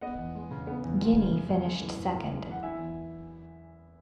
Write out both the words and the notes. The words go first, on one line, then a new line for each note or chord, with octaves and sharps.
Guinea finished second.
B3 D#5 F#5
E2
G#3
C#3
B3
E2
G#3
C#3
F#2
F#2
G#3
E3
F#2
F#2
G#3
E3 F#5
E4 E5 G#5
E2